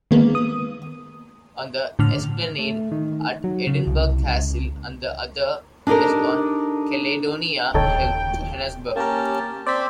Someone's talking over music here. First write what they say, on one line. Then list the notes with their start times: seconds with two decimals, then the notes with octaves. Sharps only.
On the esplanade at Edinburgh Castle and the other is on Caledonia Hill, Johannesburg.
0.11 D#3 G#3 A#3 B3
0.35 D#6
1.99 A2 D3 F6
2.59 A3
2.92 D#3
3.44 F#3
3.67 C#3
3.87 C2
4.27 C#2
5.87 D4 D#4 G4 A4 A#4
7.74 D#1 D#2 C#3 D#4 A4 C#5 G5
8.96 A#3 C#4 G4 A#4 A5
9.67 C4 C5 D5 B6